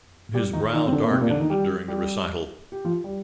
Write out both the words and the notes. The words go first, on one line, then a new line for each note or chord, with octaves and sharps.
His brow darkened during the recital.
G3 G4
D#3 D#4
D#3 D#4
C4
D3 D4
A#3
C3 C4
A#2 A#3
D3 D4
D#3 D#4
G3 G4
G3 G4
G4
F3 F4
G3